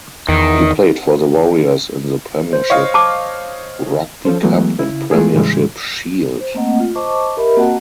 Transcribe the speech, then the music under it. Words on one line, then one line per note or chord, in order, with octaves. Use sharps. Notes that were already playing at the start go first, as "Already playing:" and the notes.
He played for the Warriors in the Premiership Rugby Cup and Premiership Shield.
E2 D#3
C5
C#5 D#5 F5
A5 D6
F3 C#4 A4 C5
E3 F#3 G#3 A3 B3
C#3 E4
G#3 A3 F4 G#4
A2 C#3 E3 G3 G#3
C5
A3 A#3 C4 D#5 F#5
F4
C5 D#5 A5 C#6 D6
G4 A#4 D#5 E5 B5
A#3 C4 F#4 D#5 F#5 A5